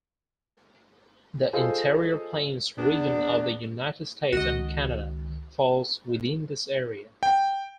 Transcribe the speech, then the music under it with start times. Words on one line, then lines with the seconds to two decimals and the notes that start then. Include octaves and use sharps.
The Interior plains region of the United States and Canada falls within this area.
1.53 F4 G#4 A4 C5 D#5 F5
2.78 E2 B3 D4
4.33 C#2 D#3 F#4 D#5
7.23 G5